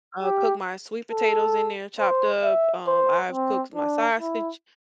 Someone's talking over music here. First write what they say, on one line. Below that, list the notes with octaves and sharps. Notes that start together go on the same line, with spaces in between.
uh, cook my sweet potatoes in there, chopped up, um, I've cooked my sausage,
G4
A4
C5
E5
C5
C4
D4
E4